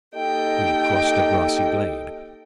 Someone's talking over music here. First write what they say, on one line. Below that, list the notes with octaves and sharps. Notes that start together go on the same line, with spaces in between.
We crossed a grassy glade.
A#3 D#4 G4 A4 D#5 G5